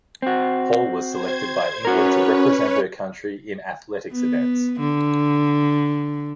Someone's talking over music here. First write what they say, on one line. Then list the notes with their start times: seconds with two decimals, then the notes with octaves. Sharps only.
Hall was selected by England to represent her country in athletics events.
0.22 C4 F#4
1.09 C5 G#6
1.85 C#4 F#4 A#4 B4 C#5
4.12 B3
4.80 D3